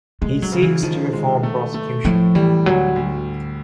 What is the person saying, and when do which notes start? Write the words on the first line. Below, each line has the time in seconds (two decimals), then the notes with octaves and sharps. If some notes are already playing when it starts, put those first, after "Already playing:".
He seeks to reform prosecution.
0.21 G#3 A3
0.42 F#3
0.52 C#3
0.62 E3
0.82 D#3 F3
1.13 G#3
1.43 A3
1.74 A3
2.05 A2 F3
2.35 E3 G3
2.66 D2 F#3
2.96 D2